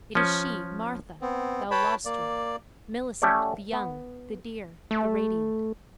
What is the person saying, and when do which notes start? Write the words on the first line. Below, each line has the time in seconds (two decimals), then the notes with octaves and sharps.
It is she, Martha, thou lost one, Millicent, the young, the dear, the radiant.
0.15 F3 C#4
1.22 B3 C4
1.71 B4 C#5 G5 A5 B5
2.05 A#3 D5
3.22 A3 C#4 G4 A4 C#5 D5
3.73 B3
4.91 A3